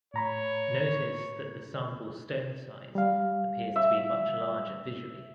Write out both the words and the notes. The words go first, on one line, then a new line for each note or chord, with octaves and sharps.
Notice that the sample’s stone size appears to be much larger visually.
A2 C#5 A#5 B5
G3 F5
E5